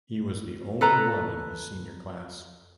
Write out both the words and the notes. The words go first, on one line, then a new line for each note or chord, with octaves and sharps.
He was the only one in his senior class.
A4 B4 A#5